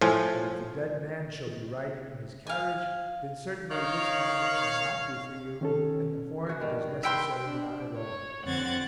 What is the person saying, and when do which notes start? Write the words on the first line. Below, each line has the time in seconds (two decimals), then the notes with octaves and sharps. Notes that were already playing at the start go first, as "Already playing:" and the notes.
But if the dead man shall be riding in his carriage, then certainly this time it shall not be for you and the horn it is necessary not at all.
0.01 A2 F3 F4 G#5
2.47 F5 G#5
3.71 D#3 C#5 F5
5.61 D#3 C#4 A4
6.46 F#4 G#4
6.60 G2 D#3
7.03 A#4 B4 E5 G5 C6
7.44 D4
7.97 C#5
8.44 F2 D3 C4 F#5 G#6 A6